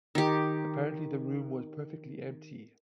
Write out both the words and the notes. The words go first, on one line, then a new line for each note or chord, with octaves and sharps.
Apparently the room was perfectly empty.
D#3 G4